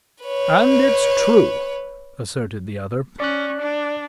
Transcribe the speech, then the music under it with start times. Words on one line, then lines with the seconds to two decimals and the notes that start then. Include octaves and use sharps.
"And it's true," asserted the other.
0.24 B4 C#5
3.20 C#4 D5 F#6
3.61 D4